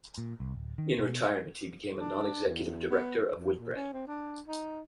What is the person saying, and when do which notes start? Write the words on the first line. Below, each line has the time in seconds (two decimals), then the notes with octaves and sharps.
In retirement he became a Non-Executive Director of Whitbread.
0.18 A#2
0.40 C2
0.55 D1
0.78 D#3
0.99 B2
2.00 D4
2.47 E2
2.90 B3
3.33 F2
3.59 A#2
3.76 C#4
3.93 C4
4.08 D4
4.48 D#4